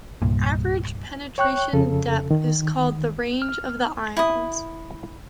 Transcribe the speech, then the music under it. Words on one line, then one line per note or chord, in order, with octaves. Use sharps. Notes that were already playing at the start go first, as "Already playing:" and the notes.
The average penetration depth is called the range of the ions.
C2 G2 A#2
C#5 G5 C#6 F#6
F2 C#3 A4
D#3
F6
E4 D#6